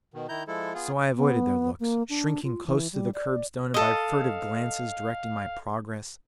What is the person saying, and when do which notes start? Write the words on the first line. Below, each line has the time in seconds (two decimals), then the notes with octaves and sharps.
So I avoided their looks, shrinking close to the kerbstone and by furtive glances directing my progress.
0.14 B2 D#3
0.29 D#3 E4 A#5 G6
0.48 F3 G#3 E4 A4
0.74 B3 F4 G#4
1.16 B3
1.80 A#3
2.09 D4
2.44 F4
2.66 E3
2.93 G3
3.14 D5
3.74 A4 D#5 F5